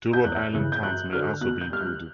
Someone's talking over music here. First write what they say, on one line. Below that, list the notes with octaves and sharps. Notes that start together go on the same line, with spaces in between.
Two Rhode Island towns may also be included.
G6
E2 F#6
C#3 E3
G6
F#2 F#6
D3 F#3 F6
B2 F#6
G6
G3 F6
F#6